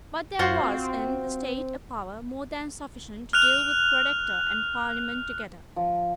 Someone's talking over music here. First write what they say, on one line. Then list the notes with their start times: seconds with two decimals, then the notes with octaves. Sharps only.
But there was in the state a power more than sufficient to deal with Protector and Parliament together.
0.39 F#2 F4 F#4 C5
0.63 C4
3.33 F6 F#6 F7
5.76 F3